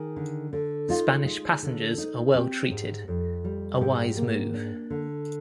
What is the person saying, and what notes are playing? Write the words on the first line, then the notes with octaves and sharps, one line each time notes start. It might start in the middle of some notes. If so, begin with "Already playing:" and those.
Spanish passengers are well-treated, a wise move.
Already playing: D#3 G#4
D3
D3
D#4 F4
G#3
D3
D#4
C4 G4
G#2
F2
G3
G#2 G4
A#3
D4
D3